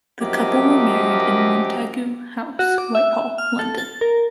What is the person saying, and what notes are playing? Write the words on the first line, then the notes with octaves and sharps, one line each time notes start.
The couple were married in Montagu House, Whitehall, London.
F#2 F3 G4 A#4 D#5
F#4
D6
E5
F6
A4
A6
A#4